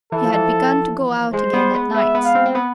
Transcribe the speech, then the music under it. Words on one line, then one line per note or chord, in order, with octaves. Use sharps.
He had begun to go out again at nights.
E3 A4
F3
E3
G#3 C5
B3
B3
B3 E5
B3
F5
C4
C4
B3